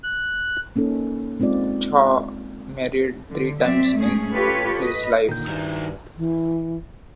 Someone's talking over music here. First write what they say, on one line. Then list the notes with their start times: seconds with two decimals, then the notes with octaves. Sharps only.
Cha married three times in his life.
0.04 F#6
0.76 A#3 C#4 D#4 A4
1.40 G#3 C4 D#4 F4 D5
3.30 D3
3.59 F#3 C4 D5 E5
3.97 G#2 A3 C#4 G#4
4.33 F4 G4 A4 B4 C#5
4.77 B4 D#5
5.29 A#2 D3 D#3 G6
5.47 G2 F#3 E4
6.17 E3